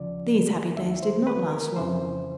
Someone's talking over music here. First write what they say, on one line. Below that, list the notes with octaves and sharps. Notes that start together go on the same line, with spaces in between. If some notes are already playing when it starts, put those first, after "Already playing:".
These happy days did not last long.
Already playing: D#2 C#3 F3 D5
D#2 D#3 E5
C5
B4
A#4
F2 C#3 E3 C5